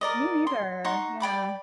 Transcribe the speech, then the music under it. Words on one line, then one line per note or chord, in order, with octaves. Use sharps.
Me neither, yeah.
A#4 D5 D#5
C6
D#4 F#5 C6 C#6
D5 G5 B5 D6